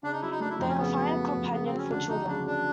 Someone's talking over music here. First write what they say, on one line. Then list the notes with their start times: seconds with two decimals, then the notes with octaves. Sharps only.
They are fine companion for children.
0.03 C#3 D4
0.13 D#4
0.22 F#3 E4
0.32 D#4
0.40 A3 D4
0.50 E4
0.59 F2 D#4
0.69 C#4
0.78 C#3 B3
0.97 F#3
1.16 A3
1.35 F2
1.52 C#3 B3
1.66 C4
1.72 F#3
1.78 C#4
1.90 D2 D4
2.09 D2 D#4
2.28 C#3 D4
2.46 F#3 D4